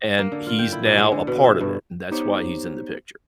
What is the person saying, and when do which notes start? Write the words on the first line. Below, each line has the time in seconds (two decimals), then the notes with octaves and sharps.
and he's now a part of it, and that's why he's in the picture.
0.19 A#3
0.32 D3
0.47 F4
0.59 G5
0.72 E4
0.85 A#2
0.98 G#3
1.12 D3
1.27 B2
1.44 E5
1.60 G2
2.11 B3 D#4 G4 C5 C#5